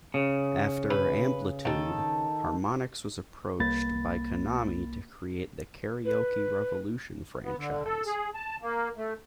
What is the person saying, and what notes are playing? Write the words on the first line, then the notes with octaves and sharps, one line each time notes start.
After "Amplitude", Harmonix was approached by Konami to create the "Karaoke Revolution" franchise.
C#3
B4
D#3 A4
C2 A#3 B5 A6
B4
B3
D3
A4
G#4
A5
A#3
A3